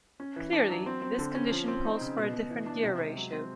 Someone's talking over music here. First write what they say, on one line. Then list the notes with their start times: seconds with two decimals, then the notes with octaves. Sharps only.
Clearly this condition calls for a different gear ratio.
0.20 C#4
0.36 E3
0.53 D4
0.70 F#3
0.86 C4
1.02 C4
1.19 D3
1.35 C#4
1.51 F3
1.68 C4
1.85 D#4
2.01 C#3
2.18 B2
2.33 B2
2.50 E3
2.66 D4
2.83 C3
2.99 G#3
3.16 F#3
3.32 C4